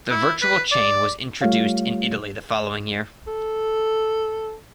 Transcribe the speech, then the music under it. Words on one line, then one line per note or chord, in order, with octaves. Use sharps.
The virtual chain was introduced in Italy the following year.
E4
B4
D5
G3 A3 F4 G4 C#5 F5
A4